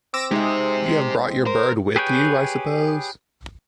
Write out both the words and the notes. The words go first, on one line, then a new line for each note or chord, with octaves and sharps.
You have brought your bird with you, I suppose?
C4 D6 E6 A#6
G#3 D#4 G4 C5 E5
A#4 C5
G4 G#4 B4 C#5 G5